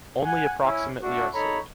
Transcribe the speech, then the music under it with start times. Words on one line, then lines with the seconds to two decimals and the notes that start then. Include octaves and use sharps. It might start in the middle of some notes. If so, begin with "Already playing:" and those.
Only approximately are sold.
0.24 F#5 G#5
0.62 C#4 E4
1.02 A3 D4 F#4
1.34 D#4 A4 C#5 A#5 B5